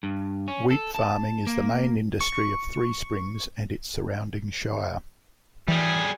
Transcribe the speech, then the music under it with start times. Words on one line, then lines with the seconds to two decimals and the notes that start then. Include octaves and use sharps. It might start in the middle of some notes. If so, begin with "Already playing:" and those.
Wheat farming is the main industry of Three Springs and its surrounding Shire.
0.03 G2
0.48 C#4
0.70 A4
0.95 A5
1.47 A#3
2.21 C#6
5.68 E3 G3 G#4